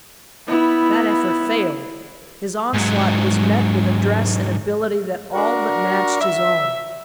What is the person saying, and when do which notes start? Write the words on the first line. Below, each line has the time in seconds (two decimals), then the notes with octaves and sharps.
That effort failed; his onslaught was met with address and ability that all but matched his own.
0.48 B3 E4
2.73 G#2 F#3
5.34 D4 F#4 A#4
6.21 E5